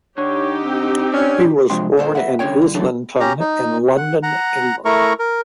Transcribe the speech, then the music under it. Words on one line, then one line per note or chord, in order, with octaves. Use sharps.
He was born in Islington, in London, England.
D3 D#4 G4 C#5
C4
C#4 D4
C3 F3 G#3 D4 G5 C6
A#2 D3 A4 C5
B4 E5 F#5
C2 D3 C#4 C#5 G5
G2 D3
C#3 E3 F#3 D4 G#4 A4
C#4 G4 A#5
D#4
F#5
F#5 A#5
A3 E4 A#4 A#5 C#6
A#4